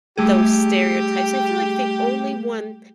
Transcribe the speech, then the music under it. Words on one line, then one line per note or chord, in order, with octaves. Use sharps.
those stereotypes. I feel like the only one
G3 A3 G4 G#4